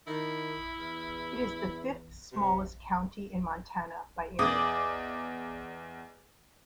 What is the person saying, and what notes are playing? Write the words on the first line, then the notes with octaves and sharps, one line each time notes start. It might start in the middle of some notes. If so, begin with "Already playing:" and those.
It is the fifth-smallest county in Montana by area.
D#3 E4
E2
C3
E2 G#4 D5 D#5